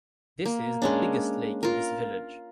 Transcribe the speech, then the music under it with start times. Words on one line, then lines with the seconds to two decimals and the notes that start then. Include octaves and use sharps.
This is the biggest lake in this village.
0.46 A#3
0.82 G#3 C#4 D4
1.63 F4 A#4